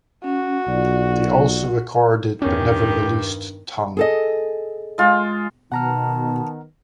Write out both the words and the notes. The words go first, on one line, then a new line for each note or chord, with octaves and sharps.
They also recorded but never released "Tongue".
C#4 F#4
B1 F4 D5
E2 G2 D#3 C#4 G4
G#4 A4 D#5
G#3 F4
B2 D#3 B3 F#5 A5 A#5 F6